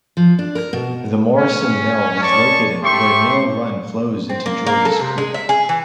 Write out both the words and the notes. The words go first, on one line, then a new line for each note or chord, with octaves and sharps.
The Morrison Mill was located where Mill Run flows into Georges Creek.
F3
D4
A#4
B2
C#4
G#3 C#5 D5 A5 C#6
A3 G4 C6 C#6
C4
A#3
A#3
A4
C3
G#3
E5
G#4
E3